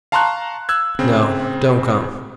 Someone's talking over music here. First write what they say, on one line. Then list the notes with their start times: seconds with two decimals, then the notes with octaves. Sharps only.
"No. Don't come!"
0.12 F5 A5 A#5 C6 C#6 F#6
0.69 E6 F#6 G#6
0.99 C#3 C4